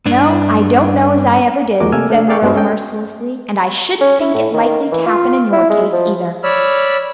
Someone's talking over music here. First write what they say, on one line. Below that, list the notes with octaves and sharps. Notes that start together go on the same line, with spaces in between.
"No, I don't know as I ever did," said Marilla mercilessly, "and I shouldn't think it likely to happen in your case either."
G2 D4
D#2 F3 G#3 F#4 A#4 D6
C3 A3 A#3 G#5 E6 F6
A3 D4
G#4 A#4 D5 F5 G5 C#6
G2 B3 D4 F#4 C5
G#3 C#4 A4 D#5 G5
C#4
E4
A2
D#3
E3
F4
E4
G#3
F3
C#5 D5 B5 E6 F6